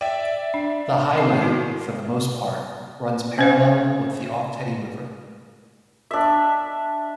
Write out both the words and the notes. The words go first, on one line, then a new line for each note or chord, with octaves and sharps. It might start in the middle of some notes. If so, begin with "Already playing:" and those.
The highway, for the most part, runs parallel with the Ok Tedi River.
D5 E5 G5
D4
D#3 C4 C7
B3 E4 F#4
C#4 C5 F5
D4 E5